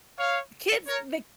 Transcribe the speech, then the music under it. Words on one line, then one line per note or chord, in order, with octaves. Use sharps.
kids, the
C#5 F5
A#4 C#5